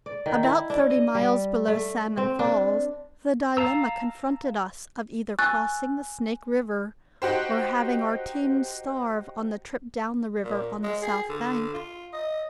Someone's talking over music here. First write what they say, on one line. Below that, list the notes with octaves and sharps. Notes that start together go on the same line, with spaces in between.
About thirty miles below Salmon Falls the dilemma confronted us of either crossing the Snake River or having our teams starve on the trip down the river on the south bank.
D5
D#3
E4
D4
D#5
G3
A3
C4
D4
F5 A5 A#5 E6
G#5 C#6 E6 F#6 A6
D#4 F#4 G4 C5
A#2
G#3
G#4
D3
F4
D#5